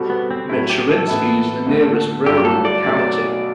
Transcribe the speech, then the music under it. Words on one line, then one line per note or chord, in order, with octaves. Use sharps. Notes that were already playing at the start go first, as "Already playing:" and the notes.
Michurinsky is the nearest rural locality.
Already playing: B2 G3 C4 F#4 A4
B3
C4
A2 F#3 A3 E4
G4
A4
A2 E3 B3 E4
D2 D3 A3
G1 G2 F#3 G4
A4
D5
B1 B2 F#3 A3 D5